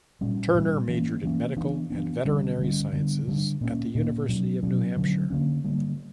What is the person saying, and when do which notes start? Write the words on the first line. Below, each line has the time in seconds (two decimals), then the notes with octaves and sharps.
Turner majored in medical and veterinary sciences at the University of New Hampshire.
0.21 A#2 G3 C#4
0.55 A#2 G3 C#4
0.88 E3 A#3 C#4
1.23 E3 A#3 C#4
1.56 E3 B3 D4
1.90 E3 B3 D4
2.25 D3 G3 C#4
2.59 D3 G3 C#4
2.93 D3 G3 B3 D4
3.27 D3 G3 B3 D4
3.61 A#2 A#3 C#4
3.95 A#2 A#3 C#4
4.29 B2 F#3 C#4
4.63 B2 F#3 C#4
4.97 D3 F#3 A#3 C#4
5.30 D3 F#3 A#3 C#4
5.64 D3 G3 A#3